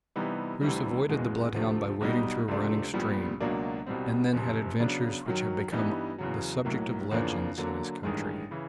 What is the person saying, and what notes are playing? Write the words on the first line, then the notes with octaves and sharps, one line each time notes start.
Bruce avoided the bloodhound by wading through a running stream, and then had adventures which have become the subject of legends in his country.
C3 E3 G3 B3 D#4
D2 C3 E3 G3
F#1 E2 B2 G#3
D2 C3 F3 A3
B1 B2 G3 B3 D#4
C#2 C3 F3 A3 D4
A#1 A#2 G3 B3
C#2 B2 F#3 A#3 D4
C2 B2 G3 C4
F#1 F2 C3
C#3 F#3 B3 D4
F#2 D#3 F#3
G2 E3 G3 B3 D#4
E2 C#3 F#3
B1 A2 F#3 A#3
E2 C#3 F3 A#3 D4
D3 F#3 A#3
A1 G2 D#3 G#3
C#3 E3